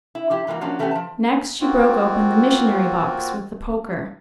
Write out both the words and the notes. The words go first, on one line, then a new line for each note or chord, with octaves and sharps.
Next she broke open the missionary-box with the poker.
E4
F3 E4 G4
G#2 E3 G#3 A#3 F#4
F3 A#3 C#4 D4 F#4
E3 A3 B3 C#4 G4 G#5
F3 A5
A#3 C4 F4 F#4